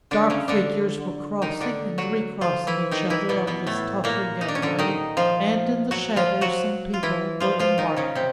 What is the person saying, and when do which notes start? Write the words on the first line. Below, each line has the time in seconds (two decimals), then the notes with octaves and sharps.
Dark figures were crossing and recrossing each other on this tottering gangway, and in the shadow some people were embarking.
0.11 D3 D4
0.30 C#3 C#4
0.48 D3 D4
1.42 D#3 D#4
1.60 D3 D4
1.98 F#3 F#4
2.41 F3 F4
2.67 E3 E4
2.91 D#3 D#4
3.10 E3 E4
3.29 B2 B3
3.47 B2 B3
3.67 A2 A3
4.04 A#2 A#3
4.41 D#4
4.48 D4
4.55 C#4
4.62 D3 D4
4.79 D#3 D#4
5.17 F3 F4
5.91 F#3 F#4
6.16 F3 F4
6.41 F#3 F#4
6.94 F4
7.03 E3 E4
7.40 F3 F4
7.59 F3 F4
7.78 D#3 D#4
7.97 C#3 C#4
8.15 C3 C4